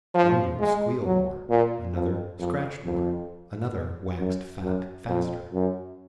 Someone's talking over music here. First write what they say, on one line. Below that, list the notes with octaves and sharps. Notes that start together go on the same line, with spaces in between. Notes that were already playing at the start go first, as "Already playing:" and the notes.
One group squealed more; another scratched more; another waxed fat faster.
F3
G#3
F#3
A#2
F2
F2
F2
F#2
F#2
F2
F#2